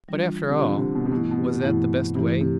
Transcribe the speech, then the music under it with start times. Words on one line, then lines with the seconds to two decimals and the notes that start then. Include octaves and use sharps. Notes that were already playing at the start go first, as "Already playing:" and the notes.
But, after all, was that the best way?
0.08 E3 G3 D4 F4
0.49 C3
0.59 D3 E3 G3 D4 F4
0.77 C3
0.95 B2
1.06 C3
1.12 G2 B2 E3 A3 E4
1.31 B2
1.37 C3
1.63 G2 B2 E3 A3 E4
2.15 G2 C3 E3 A3 E4
2.41 C3